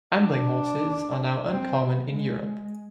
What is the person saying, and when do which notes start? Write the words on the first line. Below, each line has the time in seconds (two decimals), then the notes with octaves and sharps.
Ambling horses are now uncommon in Europe.
0.20 D4
1.50 C4
1.82 B3
2.14 G#3